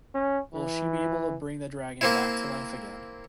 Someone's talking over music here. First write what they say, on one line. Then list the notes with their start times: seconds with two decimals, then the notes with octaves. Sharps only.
Will she be able to bring the dragon back to life again?
0.14 C#4
0.54 E3
2.01 A#3 C4 E4